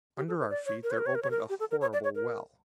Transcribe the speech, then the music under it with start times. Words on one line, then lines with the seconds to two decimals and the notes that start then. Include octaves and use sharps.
Under our feet there opened a horrible well.
0.17 G4
0.28 A4
0.40 A#4
0.50 D5
0.66 C#5
0.83 A#4
0.91 C#5
0.98 A#4
1.06 C#5
1.15 A#4
1.23 C#5
1.31 A#4
1.49 G4
1.60 A4
1.71 A#4
1.81 C#5
1.93 D5
2.04 C#5
2.15 A#4